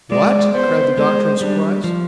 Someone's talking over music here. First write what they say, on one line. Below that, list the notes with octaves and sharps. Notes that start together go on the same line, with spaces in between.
"What?" cried the doctor in surprise.
G#3 D5
B3 C5
G#3 C5
G3 D4
F3